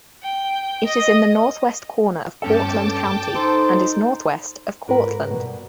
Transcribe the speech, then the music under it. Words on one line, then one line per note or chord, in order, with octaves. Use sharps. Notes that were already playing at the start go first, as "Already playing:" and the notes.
It is in the northwest corner of Cortland County and is northwest of Cortland.
G5
D#5
G2 C#4 A4 G5 A5 D6
D#4 A4 C5
G#2 A#4 B4
G2 B2